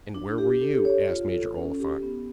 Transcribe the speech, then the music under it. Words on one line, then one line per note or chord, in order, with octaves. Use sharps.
"And where were you?" asked Major Oliphant.
D4
G4
A4
C#5
F4
A4
C#4
G4
B3